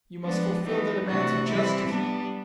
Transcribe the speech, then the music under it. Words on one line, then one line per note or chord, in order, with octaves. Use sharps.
You must fulfil the demands of justice.
F3 G#3 B3 D4
E3 G#3 B3 D#4 G4
C3 E3 A3 D4 F#4
E3 G3 C4 E4
G3 B3 D4